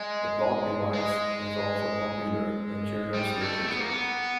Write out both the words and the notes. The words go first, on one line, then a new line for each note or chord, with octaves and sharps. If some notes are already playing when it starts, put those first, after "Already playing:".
The plot device is also popular in children's literature.
Already playing: G#3
G#3
G3
A3
B3
A#3
B3